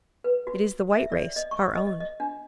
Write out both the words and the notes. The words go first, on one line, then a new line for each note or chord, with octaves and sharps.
It is the white race, our own.
B4
F#4
E5
D5
D#5
C#6
D#5
D#5
D#5
D4